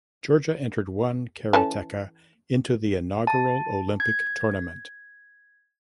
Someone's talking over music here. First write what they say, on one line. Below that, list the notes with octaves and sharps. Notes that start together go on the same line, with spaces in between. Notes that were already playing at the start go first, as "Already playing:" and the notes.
Georgia entered one karateka into the inaugural Olympic tournament.
E3 C#4 A4
A5
G#6